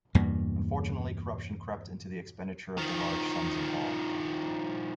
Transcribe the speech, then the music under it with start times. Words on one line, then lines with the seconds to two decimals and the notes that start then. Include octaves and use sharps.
Unfortunately corruption crept into the expenditure of the large sums involved.
0.15 E2 G2 B2 A#3
2.78 D#3 F3